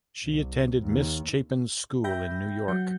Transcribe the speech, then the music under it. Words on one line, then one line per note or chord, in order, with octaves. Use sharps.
She attended Miss Chapin's School in New York.
C2
D#2
E5 G5 B5 G6 A#6
F#3 F#5 G6